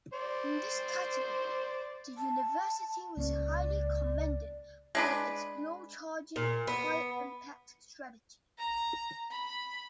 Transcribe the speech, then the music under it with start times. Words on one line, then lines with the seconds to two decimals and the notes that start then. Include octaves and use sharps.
In this category, the university was highly commended for its "low-charging, high impact" strategy.
0.13 C5 D5
2.17 A5
3.17 C#2 A#3 C#4 D5
4.95 G#3 D4 B4
6.36 A#2
6.67 B3
8.58 A#5
9.31 B5